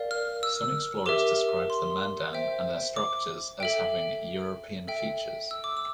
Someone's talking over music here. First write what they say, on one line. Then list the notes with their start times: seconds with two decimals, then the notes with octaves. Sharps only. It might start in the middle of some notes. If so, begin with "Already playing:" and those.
Some explorers described the Mandan and their structures as having "European" features.
Already playing: A#4 D5 F5
0.11 F6
0.43 E6
1.06 G4 A#4 E5 D6
1.70 C6
2.33 C5 E5 G5
2.96 D6
3.60 A4 E5 G5
4.87 A4 E5 G5
5.51 E6
5.64 D6
5.77 E6